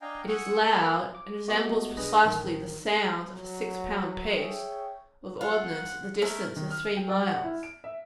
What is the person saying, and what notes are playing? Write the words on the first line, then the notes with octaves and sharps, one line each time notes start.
It is loud, and resembles precisely the sound of a six-pound piece of ordnance at the distance of three miles.
D4 D#5 F5 G5 G#5 A#5
F#5 G#5 C#6 D#6 E6 F#6
A#3 C6 D6 G6
A#3 A#4 F5
D6
G#3 A3 B3 F#4 G4 D#5
B1 D4 G#4 B4 D#5
A1 D#3
F#3
G#4 C#5 E5 G5
F4 F#5
G#3 A3 A#4
D#3
F6
G5
D5
F#5
E4
D7
E5